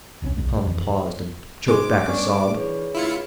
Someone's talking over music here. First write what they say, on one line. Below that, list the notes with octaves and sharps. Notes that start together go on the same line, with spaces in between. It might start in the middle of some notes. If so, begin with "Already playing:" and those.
Tom paused, and choked back a sob.
D#1 C2 C#3 C#4
B1 F2 G#3
F2
F2 E3
G#2 G#3 D6
G2 C#4 D4
E3 G#4 B4 C#5
D2 E4 F4 C#7